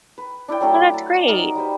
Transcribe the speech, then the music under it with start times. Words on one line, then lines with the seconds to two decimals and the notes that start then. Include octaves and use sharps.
Well, that's great.
0.18 B4
0.48 D4 E4 D5 G5
0.61 F#3 A3 D4 A4
0.94 A5
1.27 D#4 A#4
1.55 G3 B4 C5